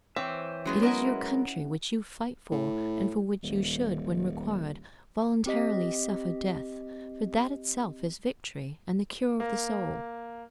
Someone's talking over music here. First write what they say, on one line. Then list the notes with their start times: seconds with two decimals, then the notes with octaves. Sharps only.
It is your country which you fight for, and for which you should, when required, voluntarily suffer death; for that itself is victory and the cure of the soul.
0.16 E3 C4 C#5 E5 G5 D6
0.65 F#3 G#3 B3 C#4 E4 B4
0.83 E4 F#4 G#4 A#4 D#5 F#5
2.52 A2
3.43 D#1
5.46 C4 G4 D#5 B6
9.40 A#3